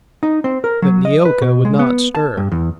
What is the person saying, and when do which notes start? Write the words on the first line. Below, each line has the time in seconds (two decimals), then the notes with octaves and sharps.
But Neeoka would not stir.
0.23 D#4
0.44 C4
0.64 A#4
0.82 F#3
1.05 D#5
1.25 B4
1.41 B2
1.65 G#3
1.79 B3
2.15 A5
2.37 G2
2.51 E2